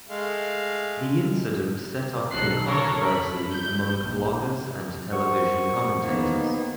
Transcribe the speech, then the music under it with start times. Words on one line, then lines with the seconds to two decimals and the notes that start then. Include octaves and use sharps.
The incident set off a controversy among bloggers and television commentators.
0.09 G#3 A3 F5
2.31 B1 D#3 A4 F#6 C7
2.66 A4 A#4 C#5
3.07 B5
3.50 G6
4.04 A#1
5.13 A#4 C5 F#5 C#6
6.02 D#3 A#3 B3